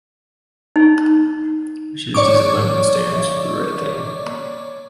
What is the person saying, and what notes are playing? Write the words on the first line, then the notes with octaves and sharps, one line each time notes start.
She is disciplined and stands for the right thing.
D#4
C#5 D5 C#6 D6